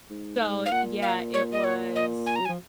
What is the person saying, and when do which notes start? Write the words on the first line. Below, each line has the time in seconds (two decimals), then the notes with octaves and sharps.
so, yeah, it was,
0.10 G#2
0.40 G#2
0.66 F5
0.71 A#2 F#5
1.02 F5
1.34 C#5
1.52 D#5
1.64 C#5
1.95 D#5
2.26 G#5
2.36 F#3 A#5
2.45 G#5
2.49 F3